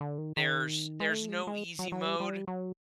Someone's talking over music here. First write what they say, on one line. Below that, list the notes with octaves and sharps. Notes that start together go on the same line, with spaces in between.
There's there's no easy mode.
D3
D#3
D#3
G#3
A3
G#3
G#3
F#3
F#3
G3
G3
F#3